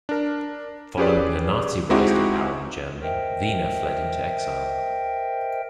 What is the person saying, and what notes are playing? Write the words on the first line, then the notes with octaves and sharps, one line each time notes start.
Following the Nazi rise to power in Germany, Wiene fled into exile.
D4 A#4
C#4 G4 G#4 B4 D5
G#3 C4 D#4 E4 F#4 G4
A#4 C5 D#5 E5 G5